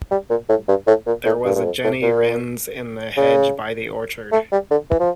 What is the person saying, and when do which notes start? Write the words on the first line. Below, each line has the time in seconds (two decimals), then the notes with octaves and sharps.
There was a jenny wren’s in the hedge by the orchard.
0.11 G3
0.30 A#2
0.49 A2
0.68 G2
0.87 A2
1.07 A#2
1.25 A2
1.45 G2
1.55 G2
1.64 F2
1.84 A2
2.02 A#2
3.17 C#3
4.32 A3
4.52 G3
4.71 D3
4.90 E3
5.00 F3